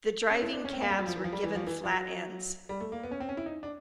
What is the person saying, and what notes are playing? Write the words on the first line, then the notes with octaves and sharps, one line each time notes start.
The driving cabs were given flat ends.
C#4
E4
D4
C#4
C4
A#3
G3
F#3
F3
E3
F3
G3
E3
F3
E3
F3
F#3
G3
A3
A#3
B3
C#4
C4
C#4
E4
D#4
D4